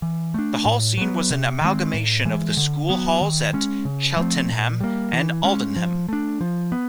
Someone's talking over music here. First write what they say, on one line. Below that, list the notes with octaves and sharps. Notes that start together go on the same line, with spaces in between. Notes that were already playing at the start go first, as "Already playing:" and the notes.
The Hall scene was an amalgamation of the school halls at Cheltenham and Aldenham.
E3
A3 D4
A2
F#3 B3
C3
D#3 G#3 C4
A2
E3 G#3
D3
F#3 B3
D#3
G#3 C#4
C#3
F3 A3 C4
A#2
G3 A#3
E3
G#3 C#4
F3
A3 D4
F3
B3